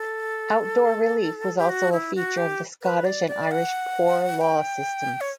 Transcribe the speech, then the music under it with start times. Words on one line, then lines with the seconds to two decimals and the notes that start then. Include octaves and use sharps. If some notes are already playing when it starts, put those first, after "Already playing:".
Outdoor relief was also a feature of the Scottish and Irish Poor Law systems.
Already playing: A4
1.58 G4
1.69 F#4
1.92 E4
2.15 F#4
2.37 G4
2.82 B4
3.05 D5
3.28 D5
3.51 F#5
4.41 G5
5.21 C#5